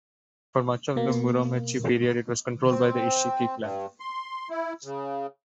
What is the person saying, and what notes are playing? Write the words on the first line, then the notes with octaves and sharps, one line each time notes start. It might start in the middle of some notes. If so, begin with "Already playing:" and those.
For much of the Muromachi period it was controlled by the Isshiki clan.
B2 A#3
C4
G2
C6
E4
C#3